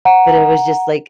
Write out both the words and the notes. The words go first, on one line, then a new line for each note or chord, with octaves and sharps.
but it was just like
F#5 A#5